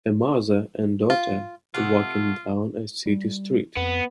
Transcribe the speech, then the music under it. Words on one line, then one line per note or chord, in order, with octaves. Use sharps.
A mother and daughter walking down a city street.
F4
C3 A3 F4 F#5
G3
F2 B3